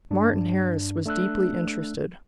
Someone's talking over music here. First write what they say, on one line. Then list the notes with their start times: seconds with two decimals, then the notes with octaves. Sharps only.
Martin Harris was deeply interested.
0.11 G2 D4
1.06 A3 D4 E6 F#6